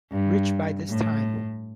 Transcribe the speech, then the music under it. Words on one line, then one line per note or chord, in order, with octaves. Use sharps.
Rich by this time.
G2
A2